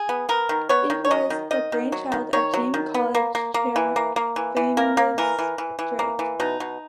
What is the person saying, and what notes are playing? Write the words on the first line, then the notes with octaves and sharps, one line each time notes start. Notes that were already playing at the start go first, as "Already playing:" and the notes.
It was the brainchild of James College Chair, Fergus Drake.
Already playing: G#4
B3
B3 A#4
D#3
B3 C#5
D#3
C#5
F#3 D#5
D#3
D#3 D#5
D#3
F#3
D#3
D#3 C#5
F#3
D#3
B3
A#3
A#3
A#3
E3
A#3
A#3
E3
E3
A#3 A#4
A#3
E3 A#4
E3
E3
E3
A#3
E3
B2 D#4
B2